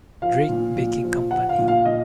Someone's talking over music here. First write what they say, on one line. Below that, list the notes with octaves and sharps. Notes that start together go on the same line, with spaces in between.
Drake Baking Company.
F3 F5
A#2
A#2
F3
F3 F#5
F5
A#2
F5
A#2 D#5